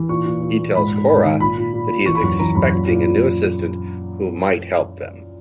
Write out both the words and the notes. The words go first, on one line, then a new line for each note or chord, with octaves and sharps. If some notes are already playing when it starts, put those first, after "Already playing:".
He tells Cora that he is expecting a new assistant who might help them.
Already playing: E3
A#2 C#6
A#2
A#2
A#2
G#2 B5
G#2
G#2 B5
D#3
A#2 B5
A#2
A#2
A#2
E3 C#6
B5
F#2 C#6
E3 A#5
F#2 B5
A#2
A#2
A#2